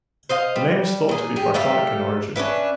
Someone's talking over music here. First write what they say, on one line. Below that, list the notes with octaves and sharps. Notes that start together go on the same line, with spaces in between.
The name is thought to be Brythonic in origin.
C5 D#5 F5
G3
A#2 G#4
G4 G#4
G3 A3 E5 F5
C#4 D4 B4 E5